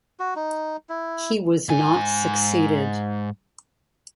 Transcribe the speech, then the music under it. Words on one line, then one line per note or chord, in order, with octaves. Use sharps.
He was not succeeded.
F#4
D#4
E4
G#2 G#5